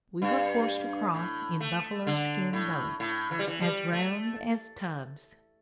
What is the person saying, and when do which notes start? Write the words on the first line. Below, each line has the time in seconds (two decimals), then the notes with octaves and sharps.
We were forced to cross in buffalo-skin boats--as round as tubs!
0.22 G2
1.14 A2
1.60 A3
2.07 D3
2.53 A2
3.00 A2
3.31 E3
3.39 G3
3.47 E3
3.61 G3
3.92 A3